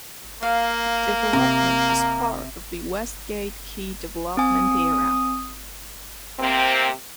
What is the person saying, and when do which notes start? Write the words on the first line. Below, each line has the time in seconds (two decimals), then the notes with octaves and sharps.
The development is part of the "Westgate Key Development Area".
0.43 A#3 F5
1.33 C3 A#5
1.89 A#4
4.37 C4 G#5 D#6
6.40 C3 A#3 C4